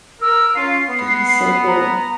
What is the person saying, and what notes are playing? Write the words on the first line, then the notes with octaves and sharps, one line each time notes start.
That is so cool.
A#4 E6
C#4 F4 C7
B3
A#5